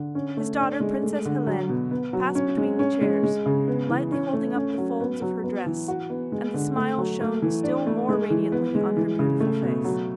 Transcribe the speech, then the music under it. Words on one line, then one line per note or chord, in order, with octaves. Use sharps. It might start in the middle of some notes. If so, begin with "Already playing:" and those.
His daughter, Princess Helene, passed between the chairs, lightly holding up the folds of her dress, and the smile shone still more radiantly on her beautiful face.
Already playing: D3
C#4
A3
D4
G#3
A3
D3
F#3
B2
B3
F#3
C#4
G#3
C#4
G#3
G#3
C#3
B3
E3
C#4
A3
C#4
F#3
B3
F#3
B3
E3
F#4
B3
G#3
D3
A3
F#3
A3
E3
D4
A3
G#3
E3
B3
G#3
E3
C#3
A3
B2
F#3